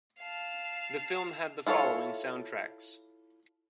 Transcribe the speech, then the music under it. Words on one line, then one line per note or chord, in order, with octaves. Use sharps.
The film had the following sound-tracks.
F5 A5
E4 F4 A4 B4 C#5